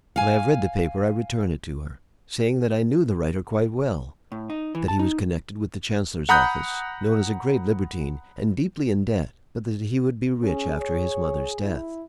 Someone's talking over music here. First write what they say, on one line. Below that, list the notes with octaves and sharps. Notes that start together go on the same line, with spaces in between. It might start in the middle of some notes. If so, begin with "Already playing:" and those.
When I have read the paper, I return it to her, saying that I knew the writer quite well, that he was connected with the chancellor's office, known as a great libertine, and deeply in debt, but that he would be rich after his mother's death.
F5 G#5
A2
D#4
E3
A5
D#4
F#5 A#5 B5 D#6 F#6 G6
C#4 G#4
C#5
E4